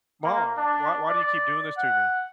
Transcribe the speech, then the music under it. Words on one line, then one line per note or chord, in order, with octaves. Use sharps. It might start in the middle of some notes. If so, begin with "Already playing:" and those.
"Mom, why why do you keep doing this to me?"
A#3
D4
D5
F#5